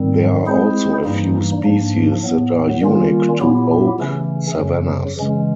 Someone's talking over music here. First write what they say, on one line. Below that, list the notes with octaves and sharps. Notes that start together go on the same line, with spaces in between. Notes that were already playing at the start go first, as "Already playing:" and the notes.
There are also a few species that are unique to oak savannas.
Already playing: G#2 D#3 G3 C4
G#3 C4 E4 G#4 C5
G2 E3 G3 A#3 D#4
G#2 F3 A#3 D4
A2 F#3 B3
D#3 G3 A#3 C#4 F4
A#2 F#3 B3 E4 G4
C#3 E3 A3 C#4
F#2 C#3 F#3
C#3 E3 G#3 C#4